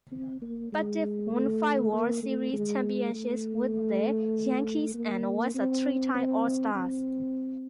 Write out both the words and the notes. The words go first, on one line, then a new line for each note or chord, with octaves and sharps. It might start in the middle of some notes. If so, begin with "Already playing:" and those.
Pettitte won five World Series championships with the Yankees and was a three-time All-Star.
C4
A#3
G#3
A3
A#3
A3
G#3
A3
A#3
C4
C4
C4